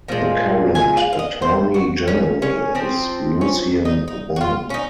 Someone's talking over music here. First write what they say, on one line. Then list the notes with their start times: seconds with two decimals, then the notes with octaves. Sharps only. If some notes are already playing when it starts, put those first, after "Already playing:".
The current Attorney-General is Lucien Wong.
0.08 A#2 F3 G#3
0.75 G#5
0.97 F5
1.13 F5
1.19 D#5
1.42 C5
1.74 F#4
2.08 C#4
2.42 C#4
2.75 F3 C4
3.41 C#4
3.85 D#4
4.08 D#4
4.36 F#4
4.41 F4
4.70 C#4
4.74 D#4